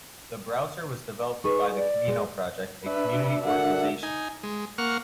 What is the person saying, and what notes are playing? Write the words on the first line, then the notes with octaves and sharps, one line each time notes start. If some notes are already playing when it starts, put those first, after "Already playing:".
The browser was developed by the Camino Project, a community organization.
D#4 G#4 B4 C#6
D5
G#3
D4 B4 E5
D3 F#4 A#4 F#5
D#4 G#5
G#3
A#3 F#5 C#6 F6